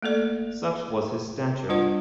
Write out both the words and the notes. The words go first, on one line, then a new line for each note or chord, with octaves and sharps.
Such was his stature.
A3 A#3 A4 D5
G3 D4 F4 C5 F#5